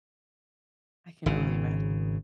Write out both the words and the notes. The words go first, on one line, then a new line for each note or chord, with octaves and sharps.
I can only imagine.
G#1 C#3